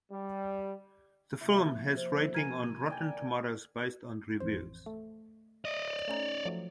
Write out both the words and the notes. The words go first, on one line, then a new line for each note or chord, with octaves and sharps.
The film has rating on Rotten Tomatoes based on reviews.
G3
C3 F3 A#3 E4
C5
A#4 G#5 G#6 D#7
D5 G5 G#5
A1 F2 C5
A3
D5 D#5
A3 C#4 D#4
F3 F#3 A3